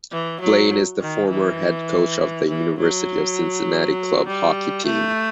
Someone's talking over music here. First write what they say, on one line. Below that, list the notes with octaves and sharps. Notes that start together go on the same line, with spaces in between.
Blaine is the former head coach of the University of Cincinnati club hockey team.
E3
F#3
D#3
E3
E3
F#3
G3
A3